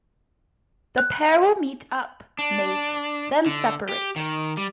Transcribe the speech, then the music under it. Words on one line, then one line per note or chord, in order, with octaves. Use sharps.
The pair will meet up, mate, then separate.
F#6
D4
D3
G4
D#3
G3